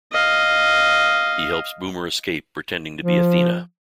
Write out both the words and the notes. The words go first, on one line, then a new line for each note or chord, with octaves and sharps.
He helps Boomer escape pretending to be Athena.
D#5 F5
F3